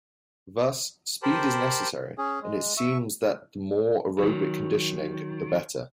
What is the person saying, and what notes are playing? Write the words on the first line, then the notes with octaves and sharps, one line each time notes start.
Thus, speed is necessary, and it seems that the more aerobic conditioning, the better.
G4 A#4 C5 A5 B5
C#4 G#4
G#3
E5 C#6
D#3 F#3